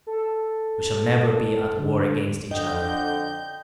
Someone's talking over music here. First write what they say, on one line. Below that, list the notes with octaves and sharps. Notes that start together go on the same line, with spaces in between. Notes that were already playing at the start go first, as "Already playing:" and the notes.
We shall never be at war against each other.
A4
D3
F2 D3 D#5 G5 G6